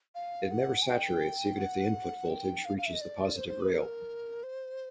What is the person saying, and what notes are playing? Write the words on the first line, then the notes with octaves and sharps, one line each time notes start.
It never saturates even if the input voltage reaches the positive rail.
F5
F#5
G#5
G5
F#5
G5
F5
F5
E5
D#5
D5
C5
C5
B4
A#4
C5